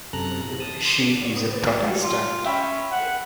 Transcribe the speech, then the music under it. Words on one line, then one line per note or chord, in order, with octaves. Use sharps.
She is a Protestant.
F#2 C3 A4 A#5 F#6
B2
A5 D#6
C6 D6 D#6
F4
C#4 E5 G5 B5
F#5